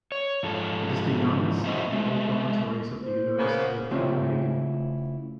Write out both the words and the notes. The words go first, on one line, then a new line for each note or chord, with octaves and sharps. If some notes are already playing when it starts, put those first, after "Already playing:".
It is the youngest of the old dormitories of the University of Copenhagen.
C#5
G#2 F3 A4
A3 C#4 E4 F#4 C5 D#5
G#3 A3
C5
C#3 A#3 B3
C#3 A3 C4 E4 F4 G4